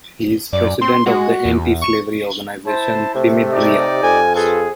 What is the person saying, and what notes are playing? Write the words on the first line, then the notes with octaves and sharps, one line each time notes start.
He is president of the anti-slavery organization Timidria.
F#2 D5
C4 C6
G#3 F#4
E2
C#6
E4 C5 A5
C3 A3
D#4 G4 D5
F2 G#5
F4 G#4 A4 B4